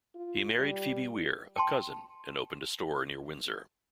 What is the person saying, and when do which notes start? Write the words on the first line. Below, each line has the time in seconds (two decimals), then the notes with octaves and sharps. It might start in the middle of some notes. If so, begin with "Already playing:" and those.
He married Phoebe Wier, a cousin, and opened a store near Windsor.
0.16 F4
0.60 G3
1.56 G5 A5 C6